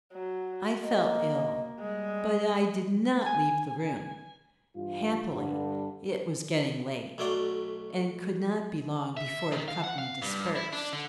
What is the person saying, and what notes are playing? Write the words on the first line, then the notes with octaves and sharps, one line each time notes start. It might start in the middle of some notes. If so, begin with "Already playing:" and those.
I felt ill; but I did not leave the room: happily, it was getting late, and could not be long before the company dispersed.
F#3
A#3 D#5
G3 G#3
G#5
G2 E3 F4
G2 D3
B1 F#3 A3 D5 C6
E5
D#3
F5
F#5
F5
G2
E4
D4
D3